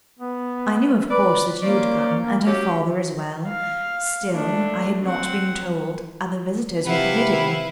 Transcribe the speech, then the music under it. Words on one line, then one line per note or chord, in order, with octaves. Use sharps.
I knew of course that you'd come, and her father as well; still, I had not been told other visitors were forbidden.
B3
B4 D5
A#3 C#4 C5 D5
F#3 C#4 G4
F5
A3 D4
C4 F#5
C3 E4 B4 F5 F#5